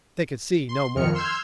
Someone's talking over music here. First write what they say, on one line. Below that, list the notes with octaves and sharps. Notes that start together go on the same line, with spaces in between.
They could see no more.
C6
F2 D#3 F6 C#7
C6 E6 F6 G6 G#6